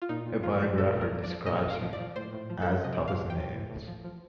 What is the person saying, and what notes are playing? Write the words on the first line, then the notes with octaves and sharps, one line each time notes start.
A biographer describes him as tough as nails.
F4
A#2 D#4
A#2
F3 F4
F3
A#2 A4
A#2
A#4
F3
D5
F3
A#2 D#5
A#2
F5
F3
D5
F3
A2 C5
A2
F3
A4
F3
C3 D#5
C3
F5
F3
G5
F3
A2
A2
F3
F3